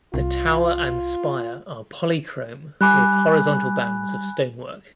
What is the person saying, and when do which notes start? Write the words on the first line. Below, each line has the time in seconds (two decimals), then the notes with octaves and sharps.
The tower and spire are polychrome with horizontal bands of stonework.
0.14 C2 F4
2.81 G3 G#5 B5 D6 F#6